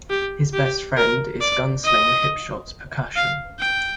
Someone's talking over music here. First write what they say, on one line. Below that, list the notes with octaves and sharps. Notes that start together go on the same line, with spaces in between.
His best friend is gunslinger Hipshot Percussion.
G4
G4
A#4
D5
D#5
F5
G5